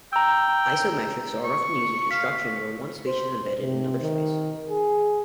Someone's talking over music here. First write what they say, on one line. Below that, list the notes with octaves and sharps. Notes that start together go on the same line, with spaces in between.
Isometries are often used in constructions where one space is embedded in another space.
G5 A#5 E6
C#6
F5 B6
C5
C3
D#3
G#4